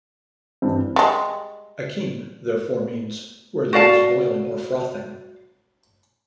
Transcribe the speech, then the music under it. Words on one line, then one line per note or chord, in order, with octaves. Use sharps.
Akean therefore means "where there is boiling or frothing".
G2 E3 C4
G3 G#3
F#4 D5 F5 A5